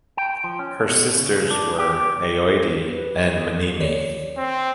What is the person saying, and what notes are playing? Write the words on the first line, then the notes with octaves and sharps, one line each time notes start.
Her sisters were Aoide and Mneme.
G5
F3
C#4
B2
C#3
C#3
D4
G4
G4
B4
C#5 D5
C4